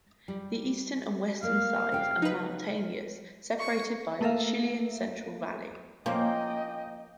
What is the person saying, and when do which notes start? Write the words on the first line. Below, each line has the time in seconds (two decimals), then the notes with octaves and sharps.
The eastern and western sides are mountainous, separated by the Chilean Central Valley.
0.28 G3
1.43 G3 A#3 F5
1.92 C#3 G5
2.22 D#4 B4
3.59 C#6
4.21 A3 A#3 A4 A#4 E5 F5
6.06 F3 A#3 C#4 C5 D#5 G5